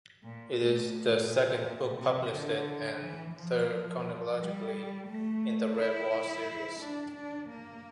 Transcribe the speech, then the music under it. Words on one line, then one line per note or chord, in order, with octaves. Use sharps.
It is the second book published and third chronologically in the "Redwall" series.
A#2
A2
A#2
C3
D3
E3
F3
G3
A3
E4
D4
D4
A#3